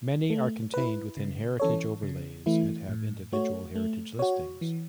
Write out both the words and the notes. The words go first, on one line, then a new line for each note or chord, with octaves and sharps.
Many are contained within heritage overlays and have individual heritage listings.
A3
E4 B4
C#3
E3 C#4 A4 C#5
C#3
E3 A3 E4
A2
A3 F#4 C#5
A3
F#4 C#5
E3